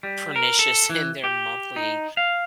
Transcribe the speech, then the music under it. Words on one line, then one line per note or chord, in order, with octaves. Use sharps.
pernicious in their monthly
G3
A#4
A4
E3
G4
D#4
F5